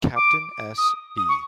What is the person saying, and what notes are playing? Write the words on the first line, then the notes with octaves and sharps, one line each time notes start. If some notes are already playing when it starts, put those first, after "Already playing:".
Captain S. B.
D6
D#6
D#6
C#6